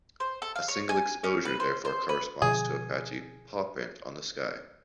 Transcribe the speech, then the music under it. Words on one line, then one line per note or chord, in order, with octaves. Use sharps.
A single exposure therefore corresponds to a patchy "paw print" on the sky.
C5
A4
F5
C#5
G#5
C#4
B4
C5
C5
B4
B2 D3 F3 G#4